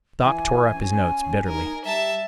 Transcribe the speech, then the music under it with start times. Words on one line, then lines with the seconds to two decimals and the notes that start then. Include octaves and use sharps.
Doc tore up his notes bitterly.
0.22 E3 G#5
0.73 C#4
1.48 D#4 A#4
1.85 G3 E5 A5